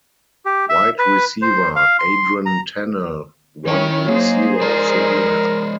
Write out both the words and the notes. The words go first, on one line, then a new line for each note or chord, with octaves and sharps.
Wide Receiver Adron Tennell won Receiver of the Year.
G4
E5
B4
C5
F5
C6
A#5
D#3 C#4 E4 C#5 G5
F#3 A#3 D#4 G#4 C5
G#3 A#4 D5